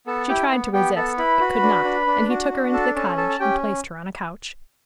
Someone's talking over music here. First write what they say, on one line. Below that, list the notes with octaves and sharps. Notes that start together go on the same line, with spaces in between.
She tried to resist, but could not, and he took her into the cottage and placed her on a couch.
B3 A4 A5
E4 G4 G5
B3
B3 G4 G5
B3 A4 A5
E4 B4 B5
F#4
D4
D4
D4
F#4
D4
A4 A5
C#4 A4 A5
A4 A5
A5
C#4 G4 G5